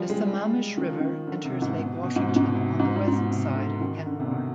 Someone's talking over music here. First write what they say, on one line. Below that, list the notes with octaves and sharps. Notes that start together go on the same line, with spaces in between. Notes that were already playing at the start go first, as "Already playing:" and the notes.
The Sammamish River enters Lake Washington on the west side of Kenmore.
Already playing: F3 G3
G#3
G3
D#3
F3
D#3
D3
C3
G#2
B2
B2
G#2
B2
G#2
B2
C3
G#2
G#2
G#2
B2
C3
D3
D#3
D3
C3
B2